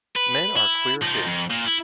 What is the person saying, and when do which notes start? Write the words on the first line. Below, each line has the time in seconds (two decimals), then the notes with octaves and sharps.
Men are queer fish.
0.16 B4
0.57 E4
1.02 F3 D#4
1.27 F2
1.51 A#2
1.66 E4